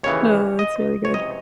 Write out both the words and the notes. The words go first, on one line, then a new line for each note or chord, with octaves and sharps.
Oh, that's really good.
D#2 C#3 E3 C#5
D#5
C#5
C#2 C3 E3 D#5